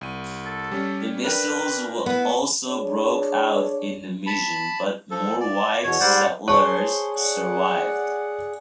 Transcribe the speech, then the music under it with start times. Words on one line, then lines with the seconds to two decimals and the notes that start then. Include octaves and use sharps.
The measles also broke out in the Mission but more white settlers survived.
0.01 C2 D#7
0.45 A4
0.72 G3 C#4
1.24 D4 A#4 B4 G5
2.06 B3 E4 B4
2.68 D4 G#4 C#5
4.27 A5 B5
5.11 F3 A4
5.40 D5
5.84 E2 B2 C#5
6.00 G#2 G3 C5 D5 F#5
6.48 G#4 C5 C#5 A5 C#6
7.14 D5 F#5